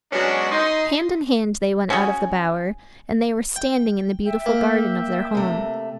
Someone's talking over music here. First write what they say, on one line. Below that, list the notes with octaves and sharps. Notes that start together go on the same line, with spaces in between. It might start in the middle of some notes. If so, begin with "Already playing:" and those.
Hand in hand they went out of the bower, and they were standing in the beautiful garden of their home.
F#3 G#3 B3 C#4 D4 F#4
D#4 D#5 C6
C#4 F#4 G#4
G5
E5 G5
A#3
C3 A3